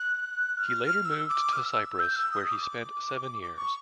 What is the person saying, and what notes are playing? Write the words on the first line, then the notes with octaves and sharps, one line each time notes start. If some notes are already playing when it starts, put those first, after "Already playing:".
He later moved to Cyprus where he spent seven years.
Already playing: F#6
F6
E6
D6
F6
E6
G6
E6
D#6
D#6
D6
D6
C#6